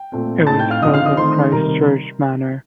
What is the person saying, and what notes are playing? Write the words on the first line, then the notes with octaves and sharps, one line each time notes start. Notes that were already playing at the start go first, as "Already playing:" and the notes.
It was held of Christchurch manor.
Already playing: G5
A#2 A3 C4
A2 A3 C4 D#4 A5 A6
G5 G6
F5 F6
D3 F3 C4 D#4 D#5 D#6
F5 F6
D#5 D#6
D#3 A3 C4 D#4 C5 C6
C3 D#3 G3 A#4 A#5